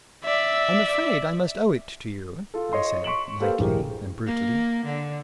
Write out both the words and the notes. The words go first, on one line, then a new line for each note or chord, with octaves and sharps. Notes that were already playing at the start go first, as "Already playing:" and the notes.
"I'm afraid I must owe it to you," I said lightly and brutally.
D5 E5
F4 A4
C#5 D#5 C6
C6 C#6 B6 D7 E7 F#7
A#3 G4 A4 B4 C5 F5
D#1 A#1 A2 G4 G#4 A#4
A#3
D3